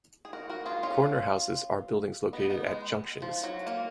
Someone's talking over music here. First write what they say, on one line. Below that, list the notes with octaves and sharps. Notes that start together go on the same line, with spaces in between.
Corner houses are buildings located at junctions.
G#4
F#4 A#4
F#4 A#4
F4 G#4
C#4 F4
B3 D#4
B3 D#4
G#3
F3
F#3
A#3